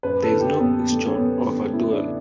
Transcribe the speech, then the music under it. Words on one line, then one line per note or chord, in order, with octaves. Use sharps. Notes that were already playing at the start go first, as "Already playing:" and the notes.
There is no question of a duel.
F#2 B4
A4
D3 A3
G4
F#2 B3
D3 A3
C#4
F#2 B3
D3 A3
F#2 E4
D4
D3 A3